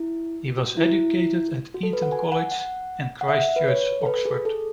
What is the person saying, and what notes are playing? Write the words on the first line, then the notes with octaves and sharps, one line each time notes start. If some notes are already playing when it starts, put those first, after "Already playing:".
He was educated at Eton College and Christ Church, Oxford.
Already playing: E4
F#4
E4
F#4
A4
B4
F#5
G#5
F#5
F#5
F#5
E5
B4
C#5
A4
B4
G#4
A4